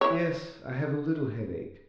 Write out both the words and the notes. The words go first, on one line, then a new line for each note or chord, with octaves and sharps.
'Yes; I have a little headache.'
E4 C#5